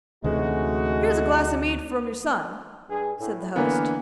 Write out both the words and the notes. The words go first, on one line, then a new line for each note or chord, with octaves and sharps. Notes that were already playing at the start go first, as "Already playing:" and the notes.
'Here is a glass of mead from your son,' said the host.
D2 C3 E3 G#3 A3 C#4 D#4 F#4
G2 G#4
A2
D3 E3 A#3 B3